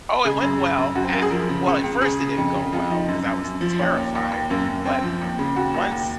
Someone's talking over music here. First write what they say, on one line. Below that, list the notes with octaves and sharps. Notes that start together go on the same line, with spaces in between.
Oh, it went well, a Well, at first, it didn't go well 'cause I was terrified, but once
C#3 G#4
F#2
C#3
F#2
F#2 F#4
C4
F#2 A#4
G#4
F3 A#4
C#3
C#2
C#2
C#3 G#4
C#3
F2
C#3
F2 F4
F3 D#4
F#2
F#2
F#2
F3
D#2 C#4
D#2
D#2
D#2
F#2 A#3
F#2
F#2 C4
F3
D#2
C#3
D#2 F#4
D#2
D#2